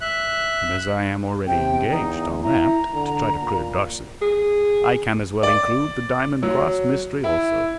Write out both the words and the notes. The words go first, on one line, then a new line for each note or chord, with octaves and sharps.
But as I am already engaged on that, to try to clear Darcy, I can as well include the diamond cross mystery also.
E5 F#6
C3 G5
E2 D#4
E4 A#5
D3
A#2
G#4
D5
F#3
E4